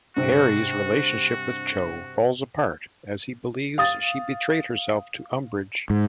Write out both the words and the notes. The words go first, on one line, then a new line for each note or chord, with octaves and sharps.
Harry's relationship with Cho falls apart, as he believes she betrayed herself to Umbridge.
G2 C3 F#4
F5 D#6 A6
G#2